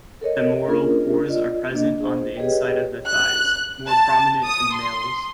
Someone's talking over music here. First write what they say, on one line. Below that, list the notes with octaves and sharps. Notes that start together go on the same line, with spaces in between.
Femoral pores are present on the inside of the thighs, more prominent in males.
A4 A#4 C#5 D#5
A#3 C#4 D4 F4 G#4 A#4
F4 D5 D#5
A#3 D4 D#5
G#4 C5
G4 G#4 B4 C#5 D#5 G5
F#6
A5
D#6
C6